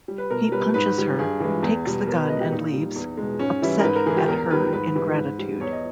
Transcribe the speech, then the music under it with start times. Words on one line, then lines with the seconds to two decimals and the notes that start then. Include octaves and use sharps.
He punches her, takes the gun and leaves - upset at her ingratitude.
0.08 G3
0.18 B4
0.30 B2 A#4
0.52 G3 B4
0.74 G#2 B4
0.97 D#3 G3
1.19 G2 G#4
1.40 E3 G#3
1.63 E2
1.86 B2 G3
2.07 B2 A#4
2.18 B4
2.29 G#3 D#5
2.40 G4
2.51 A#2 D#4
2.73 G3
2.96 E2
3.17 B2 G#3
3.39 G#2 C#4
3.62 E3 G3 E4
3.80 A#4
3.84 G#2 B4
3.95 A#4
4.06 E3 G#3 G#4
4.17 G4
4.28 E2 A#4
4.50 D#3 G3 B4
4.72 G#2 B4
4.95 E3 G3
5.17 G#2
5.39 G3
5.61 E2 C#5
5.72 D#5